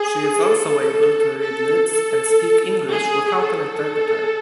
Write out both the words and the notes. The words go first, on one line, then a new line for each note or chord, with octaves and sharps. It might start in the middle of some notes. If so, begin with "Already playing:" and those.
She is also able to read lips and speak English without an interpreter.
Already playing: G#4
A4
A4
A4
G#4
A4